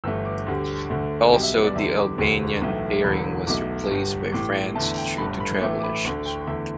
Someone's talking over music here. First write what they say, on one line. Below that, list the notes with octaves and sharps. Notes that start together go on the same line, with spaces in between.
Also the Albanian pairing was replaced by France due to travel issues.
G1 G2 E3 A3 E6
D6
D2 D3 G3
D2 D3 A3
B1 B2 G3 G5
E5
B4
D5
E2 D3 G3 E5
D6
E1 D2 D3 G3
B1 A2 E3 A3
E1 E2 D3 B5
B1 B2 A3 D6
G1 G2 G3
A1 A2 G3 D6
E2 D3 A3 A5
G5
G1 G2 D3 A3 B5
B5
A1 A2 E3 A3 D6
D6
B5
D2 D3 A3
G5
E2 D3 A3 E5